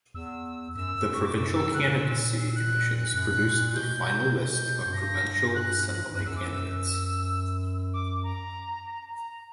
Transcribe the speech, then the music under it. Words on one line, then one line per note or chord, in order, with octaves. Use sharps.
The provincial candidacy commissions produce the final list of provincial assembly candidates.
E2 E6
F#2 E6
F#2
F#2 C#6
D6
F#2 E6
E6
E3
D3 F#6
C#3
B2
A#2 E6
F#6
F#2 F#6
G2
A#2
A#2
B2 G6
G6
F#2 G6
G2 A#6
F#6
F#2 F#6
E2 E6
F#2
D6
E6
D6
A#5
A#5